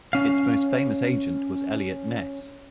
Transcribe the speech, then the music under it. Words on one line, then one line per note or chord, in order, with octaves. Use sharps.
Its most famous agent was Eliot Ness.
C#4 F5